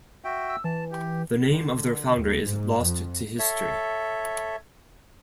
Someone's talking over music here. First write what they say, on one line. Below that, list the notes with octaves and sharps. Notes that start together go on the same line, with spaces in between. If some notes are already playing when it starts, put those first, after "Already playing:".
The name of their founder is lost to history.
F#4 E5 G5
E6
E3 A5
G4
D3
D#2
G#2
F2
A4 C#5 E5